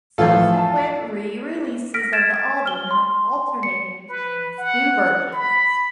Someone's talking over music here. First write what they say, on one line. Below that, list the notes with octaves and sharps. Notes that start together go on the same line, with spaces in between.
Subsequent re-releases of the album have alternated between these two versions.
A2 E3 F3 F4 A4
A5
F6 A#6 B6 D7
F6 G#6 A6 B6 D7 E7
F6 G7
C6
C#7
B4
F#5
B5